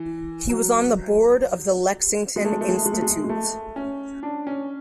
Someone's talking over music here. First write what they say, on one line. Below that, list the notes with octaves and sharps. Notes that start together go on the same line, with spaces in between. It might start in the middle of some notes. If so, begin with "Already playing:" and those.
He was on the board of the Lexington Institute.
Already playing: E3
F#3
G#3
A3
G#3
A3
G#3
A3
G#3
A3
G#3
G#3
A3
C#4
D4
C#4